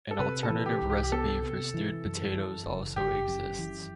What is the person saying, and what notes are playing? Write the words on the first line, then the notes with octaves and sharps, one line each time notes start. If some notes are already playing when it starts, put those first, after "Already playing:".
An alternative recipe for stewed potatoes also exists.
A4
C3 B4
A4
E3
G4
C2
G4
G4
B3 A4
C3
E3
F#2
E3
F#1
F#1 G4
F#2
E3